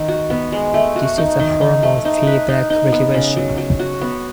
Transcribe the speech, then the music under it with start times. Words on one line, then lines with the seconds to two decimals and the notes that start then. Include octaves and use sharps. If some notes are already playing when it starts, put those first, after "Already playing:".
This is a form of feedback regulation.
Already playing: D#3
0.08 F#4
0.30 B3
0.52 G#3
0.74 A3
0.96 F#4
1.18 D#4
1.40 D#3
1.61 D#4
1.83 A3
2.05 D#4
2.27 B4
2.49 D#4
2.70 D#4
2.92 B3
3.14 C#3
3.36 F#3
3.58 F#3
3.79 F#4
4.01 B3